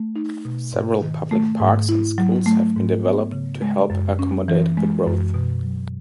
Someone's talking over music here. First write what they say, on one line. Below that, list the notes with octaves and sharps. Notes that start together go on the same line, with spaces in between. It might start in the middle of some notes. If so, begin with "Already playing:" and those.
Several public parks and schools have been developed to help accommodate the growth.
Already playing: A3
D#4
B2
G#2
D#3
A3
G#2
E4
F#3
A3
G#2
B3
C#3
G#3
F#2
C#4
E3
G#3
F#2
B2
F#3